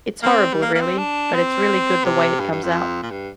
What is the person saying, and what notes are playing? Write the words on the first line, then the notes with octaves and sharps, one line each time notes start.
It's horrible really, but it's really good the way it comes out.
A#3
C4
G3
A#3
A#3
C4
D4
C4
C3
G2
G2
F2
A#2
G2